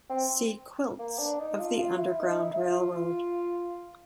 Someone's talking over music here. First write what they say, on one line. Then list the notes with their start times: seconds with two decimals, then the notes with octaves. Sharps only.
See Quilts of the Underground Railroad.
0.10 C4
0.99 A#3
1.19 D4
1.39 D#4
1.59 F4
1.79 F4
1.99 E4
2.19 D#4
2.39 E4
2.54 E4
2.59 F4